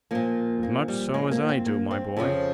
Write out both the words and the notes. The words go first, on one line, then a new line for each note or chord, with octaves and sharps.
"As much so as I do, my boy!"
A#2 F3 A#3
A#3
G3
G#3
A#3
C4
A#3
C4
F2 C#3 F3